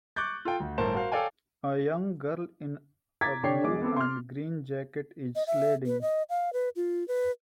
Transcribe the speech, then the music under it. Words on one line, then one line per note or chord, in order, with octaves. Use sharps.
A young girl in a blue and green jacket is sledding.
C#6 D6 F#6 G6 A6
F4 A4 G5
D2
G1 A2 A#4 C5 A5 E7
F#4 A#4 C5 F5
A4 C#5 D5 F5 G5 G#5
A#5 D6 G#6 A6 B6
D3 D4 G4 C#5 G5 C7
E1 G#3 G#4 D6
B3 C4 A4
C6 D6 F6
D#5
E5
B4
D#5
F5
B4
F4
B4